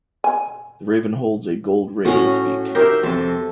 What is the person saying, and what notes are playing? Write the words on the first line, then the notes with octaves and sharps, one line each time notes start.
The raven holds a gold ring in its beak.
G#5
A2 C#4 F#4
D#4 G4 A#4 C5 E5
F2 C3 A4